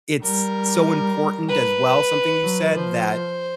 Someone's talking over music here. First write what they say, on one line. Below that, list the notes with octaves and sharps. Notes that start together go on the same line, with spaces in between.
it's so important, as well, something you said, that
G3 A#4
B4
F#3
F3 C5